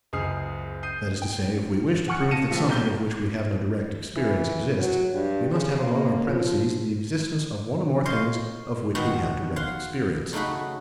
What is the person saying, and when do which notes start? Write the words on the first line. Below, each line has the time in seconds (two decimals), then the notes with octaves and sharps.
That is to say, if we wish to prove that something of which we have no direct experience exists, we must have among our premisses the existence of one or more things of which we have direct experience.
0.13 F#1 C#2 G#4 D#6 F6 C7
0.83 D#6 G6 C7 D#7
1.22 G5
2.08 F#5 G#5 C#6 F6 C#7
2.31 F5 A5 A#6 C#7 D#7 E7
2.50 A2 F3 A3 F4
2.69 B1 A#3 G6 G7
4.16 E3
4.79 F#3
5.13 G2
5.52 C#3
5.83 A#3
6.27 F3
8.05 C5 C#5 D#5 F5 C6
8.95 B2 D#3 F#4 F#5 C6
9.56 F5 F#5 C6
10.33 C#3 A3 D#4 F#4 B5